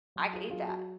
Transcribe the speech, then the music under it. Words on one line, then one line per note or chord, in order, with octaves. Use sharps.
"I could eat that."
F#3
F4 G#4
F#3 F4 G#4
F#4